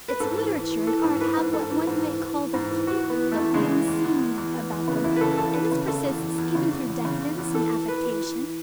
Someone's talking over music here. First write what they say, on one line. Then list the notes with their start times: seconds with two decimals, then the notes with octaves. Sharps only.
Its Literature and Art have what one might call the kink of the unseen about them, and this persists even through decadence and affectation.
0.08 B4
0.20 G#2 A4
0.37 E3
0.54 E3
0.71 E3
0.87 E3 A4
1.04 G#2
1.20 E3 B4
1.37 G#2
1.53 G#2 A4
1.70 E3
1.87 G#2
2.04 E3
2.21 E3
2.37 E3
2.54 G#2
2.71 E3
2.87 E3 F#4
3.04 E3
3.10 B3
3.21 E3
3.32 A3
3.37 E2
3.54 C#3 G#3
3.71 E3
3.88 E2
4.04 E2
4.21 E2
4.38 E2
4.54 E3
4.71 E2
4.88 C#3 B3
5.04 E2 E4
5.16 B4
5.21 C#3 A4
5.38 E2 A4
5.54 E3 B4
5.71 C#3
5.88 C#3 A4
6.05 E2
6.21 E2
6.38 E2
6.55 C#3
6.71 E2
6.88 E2
7.05 C#3
7.21 E2
7.38 E2
7.55 E3 A4
7.71 E3
7.88 E3 B4
8.05 E3
8.22 E3